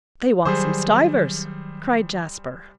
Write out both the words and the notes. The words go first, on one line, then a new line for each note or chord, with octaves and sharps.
"They want some stuivers," cried Jasper.
D#3 F#3 G3 G#4 C5